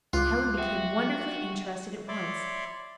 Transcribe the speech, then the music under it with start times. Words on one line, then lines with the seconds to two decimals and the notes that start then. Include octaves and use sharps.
Helen became wonderfully interested at once.
0.13 C#2 F4 D6 D#6 F#6
0.58 F#4 E5 F#5 G5
2.08 C#5 D5 E5 B5 C6 D6